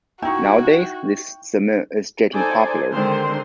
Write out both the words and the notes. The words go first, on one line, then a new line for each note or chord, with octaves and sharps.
Nowadays, this summit is getting popular.
D#4 E4 F#4 G5 C#6
D#4 A4 C5 D5 G#5
D3 D#3 G#3 C4 C5 C6